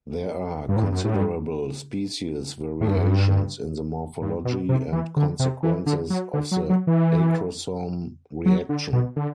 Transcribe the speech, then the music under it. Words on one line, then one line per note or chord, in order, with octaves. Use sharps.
There are considerable species variations in the morphology and consequences of the acrosome reaction.
G2
A2
G2
F#2
A2
G2
A2
G2
F#2
G2
G2
B2
C3
E3
D3
C3
E3
D3
F#3
D3
F#3
F#3
E3
F#3
D3
B2
D3